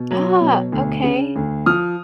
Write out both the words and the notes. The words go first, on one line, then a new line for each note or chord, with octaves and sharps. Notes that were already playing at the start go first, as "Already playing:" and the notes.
Ah, okay.
Already playing: B2
F#3
B2
D2
C#3
D2
F3 D#6 F6